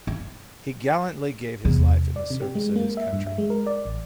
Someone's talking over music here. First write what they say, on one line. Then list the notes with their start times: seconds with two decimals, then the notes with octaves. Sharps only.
He gallantly gave his life in the service of his country.
0.07 F4
1.65 E2 C3
2.16 D5
2.30 C3
2.42 G4
2.55 G#3
2.76 A#3
2.97 E5
3.13 G2
3.27 E5
3.38 G#3
3.50 A#4
3.67 D5
3.85 A1